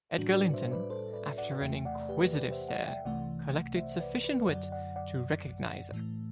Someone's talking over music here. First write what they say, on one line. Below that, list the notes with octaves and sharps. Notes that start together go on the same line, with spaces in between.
Edgar Linton, after an inquisitive stare, collected sufficient wit to recognise her.
A2 G3 D4 F#4
B4 D5
C5 E5
B4 D5
A4 C5
B4 D5
D5 F#5
E2 C3 E3 A3 E5 G5
D5 F#5
G4 B4
B4 D5
C5 E5
D5 F#5
E5 G5
C2 C3 E3 A3 D5 F#5
C5 E5
B4 D5
B4 D5
F#2 D3 F#3 D5 F#5
D5 F#5
D5 F#5
A2 E3 A3